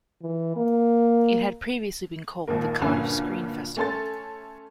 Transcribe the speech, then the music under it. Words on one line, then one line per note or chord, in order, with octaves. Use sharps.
It had previously been called the Cardiff Screen Festival.
E3
A#3
G#1 D#2 A#2 A#4
D2 G2 A#2 C#4
A3 C#4 A4 C6 A6